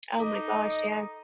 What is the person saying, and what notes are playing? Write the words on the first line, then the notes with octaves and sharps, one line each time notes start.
Oh, my gosh, yeah.
D#4 A4 D#5 D6